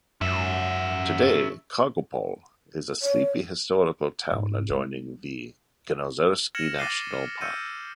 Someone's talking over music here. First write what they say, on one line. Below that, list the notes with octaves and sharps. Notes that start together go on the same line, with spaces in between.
Today, Kargopol is a sleepy historical town adjoining the Kenozersky National Park.
F#2 C#4 E5
C#5
G#2
G#3
F6 G#6 A#6 C#7 E7 F#7
D6 A6 A#6 C7 D#7 G7
F6
E6 F6 G6 C#7 D#7